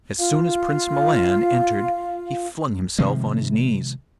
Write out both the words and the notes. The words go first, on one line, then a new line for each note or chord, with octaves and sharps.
As soon as Prince Milan entered he flung himself on his knees.
F4 F5
C3 D#3 F3 G#3